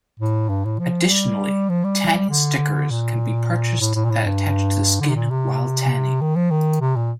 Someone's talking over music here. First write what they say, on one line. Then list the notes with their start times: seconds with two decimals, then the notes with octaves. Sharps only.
Additionally, "tanning stickers" can be purchased that attach to the skin while tanning.
0.20 A2
0.49 G2
0.65 A2
0.79 F3
1.09 G3
1.69 F3
1.84 G3
2.29 D3
2.91 A#2
3.80 A2
3.95 A2
4.05 A#2
4.10 A2
4.25 G2
5.01 D3
5.09 C3
5.16 A#2
5.30 C3
6.21 D#3
6.36 F3
6.51 D#3
6.81 C3
6.96 A#2